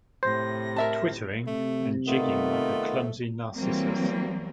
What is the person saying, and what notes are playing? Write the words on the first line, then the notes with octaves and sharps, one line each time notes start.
Twittering, and jigging like a clumsy Narcissus.
A2 C3 C5 A#6
A#4 E5 A5
C3 A3
D#3 A3 B3 F4
E3 F#3 G3 A#3 C4